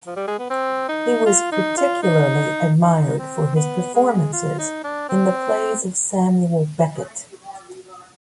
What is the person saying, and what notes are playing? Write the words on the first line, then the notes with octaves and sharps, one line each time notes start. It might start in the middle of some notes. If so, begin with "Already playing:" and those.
He was particularly admired for his performances in the plays of Samuel Beckett.
F3
G3
G#3
B3
C4
D#4
F4
D#4
F4
D#4
D#4
C4
B3
G#3
F4
D#4
D4
C4